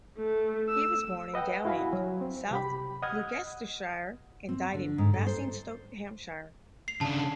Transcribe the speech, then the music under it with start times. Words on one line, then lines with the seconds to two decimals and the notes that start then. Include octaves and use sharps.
He was born in Downend, South Gloucestershire and died in Basingstoke, Hampshire.
0.18 A3
0.69 E6
1.34 B4 D#5 F#5 G5
1.65 E4 F#4 F5 G#5 B5
1.93 F#3
2.21 C4
2.51 C2 G4 B5
3.02 D#5 F#5 D#6 F6 G#6
4.49 C4
4.74 D3
4.98 G#2
5.14 A4
5.27 C5
6.88 C7 F7
7.01 C#3 D4 A5